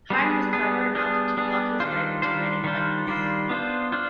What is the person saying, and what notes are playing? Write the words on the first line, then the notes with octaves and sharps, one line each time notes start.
Hine was clever enough to bluff his way into many plants.
G3 B3 D4 G#4
G3 B3 D4 G#4
G3 B3 D4 G#4
G3 B3 D4 G#4
D#3 G3 D4 F4 C5
D#3 G3 D4 F4 C5
D#3 G3 D4 F4 C5
D#3 G3 D4 F4 C5
B3 D4 F4 C5
D4 F4 C5